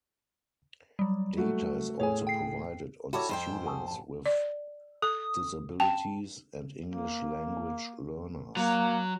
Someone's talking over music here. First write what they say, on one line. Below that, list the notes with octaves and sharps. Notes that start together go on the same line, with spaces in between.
Data is also provided on students with disabilities and English language learners.
F#3 G3
A3 F#4
A2 G#4 C#5 G#5
G5 C7
E4 F#4 G4 A4 C#5
F2 C5 G5
G#1 G#2
F#4 G#4 A4
A1 A5
D5
A4 D#6
G5 A5
A#3
F#3 A#3